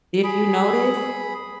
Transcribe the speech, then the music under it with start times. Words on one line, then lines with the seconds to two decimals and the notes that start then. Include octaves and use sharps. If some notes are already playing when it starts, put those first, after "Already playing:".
if you notice,
0.24 G#4 B5